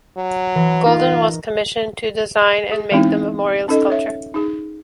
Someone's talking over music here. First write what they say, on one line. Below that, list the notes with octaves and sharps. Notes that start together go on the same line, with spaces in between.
Goulden was commissioned to design and make the memorial sculpture.
F#3
E3
D#4 F4 A#4
G#4
E3 G#3 B3 C4 D#4 E4
C#4 D#4 A4 D#5
C#5 E5
D#4 G#4